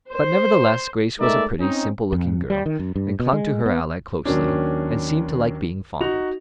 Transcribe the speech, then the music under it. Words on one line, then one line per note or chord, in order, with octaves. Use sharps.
But, nevertheless, Grace was a pretty, simple-looking girl, and clung to her ally closely, and seemed to like being fondled.
C5
G#3 A3 D#4 A#4 D5 E5
C4 C#4 D#4
F2
G3
D#3
F#2
G2
B2
G#3
B3
D#2 D#3 F#3 C#4 D4
D#4 F#4 F7